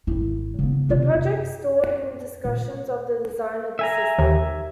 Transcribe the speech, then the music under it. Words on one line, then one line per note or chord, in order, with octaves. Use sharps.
The project stalled in discussions of the design of the system.
G#1 E4
C#3 B3
C3 F4
F#2
A#2
E5 G#5 A#5
D#2